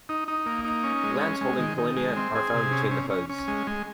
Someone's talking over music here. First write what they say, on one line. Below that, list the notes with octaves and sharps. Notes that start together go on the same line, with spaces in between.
Glands holding pollinia are found between the hoods.
D#4
D#4
A#3
D#4
C#4
G#3
C#4
G#3
D#3
D#3
G#3
C4
G#4
C3
C#4
C#4
C#4
C#4
G#3
G#3